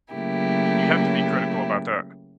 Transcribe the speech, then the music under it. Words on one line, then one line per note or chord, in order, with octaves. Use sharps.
you have to be critical about that.
C#3 F#3 A3 A#3 E4 G4